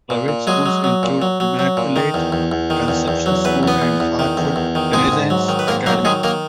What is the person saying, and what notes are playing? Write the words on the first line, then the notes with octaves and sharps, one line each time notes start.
Private schools include Immaculate Conception School and Heartwood Renaissance Academy.
A#2
A#2
F#3 G#3 G#4
F#3
F#3
A#2
F#3
F#3
F#3
A#2
D#3
E2
E2
E2
D#3
E2
E2
F#3
E2 B4
E2 B3 B4
E2
E2
D#3
E2
E2
D#3
G#2 G#3 G#4
G#2
F#3
D#3
B4
G#2 A#3 A#4
F#3 A#3 A#4
D#3 G#3 G#4
D#3 A#3 A#4